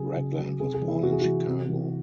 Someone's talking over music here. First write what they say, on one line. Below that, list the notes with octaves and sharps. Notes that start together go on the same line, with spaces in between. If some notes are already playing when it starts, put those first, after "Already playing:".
Ragland was born in Chicago.
Already playing: C#3 F#3 G#4
C#3
F#3
C3 G#4
G#4
E3
E4
C3 F#4
G#4
E3 F#4
C3
E3